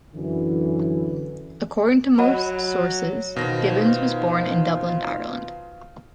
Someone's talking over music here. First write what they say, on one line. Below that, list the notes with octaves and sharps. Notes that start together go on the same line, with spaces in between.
According to most sources, Gibbons was born in Dublin, Ireland.
F#2 D3 E3
F#3 D#5 F#5 B5
B2 D#3 B3 D#4 F4 C5 A#6